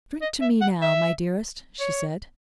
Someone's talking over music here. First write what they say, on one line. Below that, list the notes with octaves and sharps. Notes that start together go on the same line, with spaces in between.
'Drink to me now, my dearest,' she said.
D#5
E5
F#5
E5
C#5